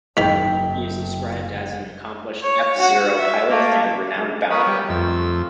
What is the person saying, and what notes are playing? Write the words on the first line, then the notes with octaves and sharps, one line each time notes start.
He is described as an accomplished F-Zero pilot and renowned bounty hunter.
F#1 G#2 D#3 G5 B6
C#5
F#4 F#5
E5
A3 A#3
B3 A#4 B4 C#5 D#6
G3
F2 A3 E6